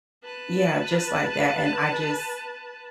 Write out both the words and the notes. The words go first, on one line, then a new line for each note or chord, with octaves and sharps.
yeah, just like that, and I just
B4 A5